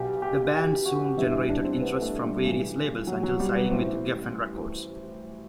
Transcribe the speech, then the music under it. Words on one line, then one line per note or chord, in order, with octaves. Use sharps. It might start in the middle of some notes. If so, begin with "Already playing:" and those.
The band soon generated interest from various labels until signing with Geffen Records.
Already playing: B1 B2 G4
G4
G4
F#4
G1 G2 E3 E4
E4
D4
C4
B3
A3
G3
B1 A2 E3
F#3
F#3
G3
B3
A1 A2 E3 C4